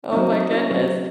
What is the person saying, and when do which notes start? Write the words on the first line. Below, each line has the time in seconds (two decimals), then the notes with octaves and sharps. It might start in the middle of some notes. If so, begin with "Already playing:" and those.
Oh my goodness.
0.12 F#3 A3 C4 D#4
0.32 D#4
0.52 C#4 E4
0.71 F#3 A3 C4